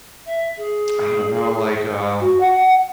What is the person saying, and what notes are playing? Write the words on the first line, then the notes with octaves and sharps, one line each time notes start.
I don't know, like, uh
E5
G#4
F#4
F#5